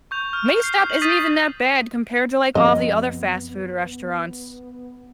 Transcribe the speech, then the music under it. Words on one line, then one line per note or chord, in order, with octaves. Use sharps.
Wingstop isn't even that bad compared to, like, all the other fast food restaurants.
C#6 G6 F7
F6
G6 C7
G6 F#7
D#6 G6 A6 B6 D#7
F#2 F3 B3 C4 D#5